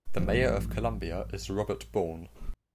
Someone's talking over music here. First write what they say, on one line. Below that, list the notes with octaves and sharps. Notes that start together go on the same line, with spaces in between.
The mayor of Columbia is Robert Bourne.
A1 G2 F3